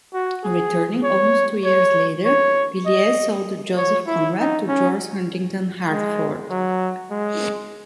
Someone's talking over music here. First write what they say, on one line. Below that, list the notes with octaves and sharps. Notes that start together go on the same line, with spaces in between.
Returning almost two years later, Villiers sold the "Joseph Conrad" to George Huntington Hartford.
F#4
G#4
C#5
C#5
C#5
D#5
C#5
E4
D#4
C#4
G#3
F#3
G#3